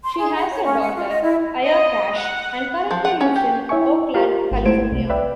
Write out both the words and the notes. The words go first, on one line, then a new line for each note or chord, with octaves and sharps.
She has a daughter, Aya Cash, and currently lives in Oakland, California.
C6
G#4
F#5
C#5
C#4
F#5
F4
D#5
E4
D#5
F#5
F3
F#5
C#4
G4
E4 C#5 E5 G#5 C#6
F4 G4 A#4 C5
G#1
A3 E4 C5 G#6 D7 E7
C2
B4 D5 E5 G5